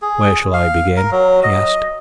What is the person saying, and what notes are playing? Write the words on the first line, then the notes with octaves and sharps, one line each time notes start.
"Where shall I begin?" he asked.
G#4
F5
A#4
F#3
D#5